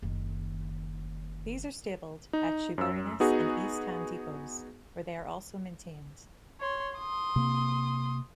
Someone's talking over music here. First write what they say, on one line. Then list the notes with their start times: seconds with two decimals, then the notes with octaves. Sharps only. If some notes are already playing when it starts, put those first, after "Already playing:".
These are stabled at Shoeburyness and East Ham depots, where they are also maintained.
0.02 F#1 D#3
2.33 D#4
2.78 F#2 E6
3.20 B3 D#4 F#4 G#4
6.60 C#5 C6
6.97 C6 D#6
7.36 C3 A#3